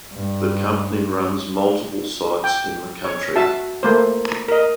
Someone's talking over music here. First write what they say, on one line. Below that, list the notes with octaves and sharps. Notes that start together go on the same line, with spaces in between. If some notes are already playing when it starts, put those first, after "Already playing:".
The company runs multiple sites in the country.
G2
G5
C#5
F#4 E5 A5
A3 A#3 C5
A#4 D#5